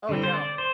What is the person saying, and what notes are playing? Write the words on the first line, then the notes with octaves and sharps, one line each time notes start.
Oh yeah,
D3 G3 C4
C5
D5
C5